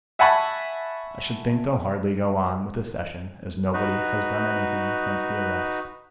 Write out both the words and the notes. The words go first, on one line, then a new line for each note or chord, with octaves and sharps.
I should think they'll hardly go on with the Session, as nobody has done anything since the arrest.
E5 F#5 G#5 A5 B5 C#6
D#4 F#4 B4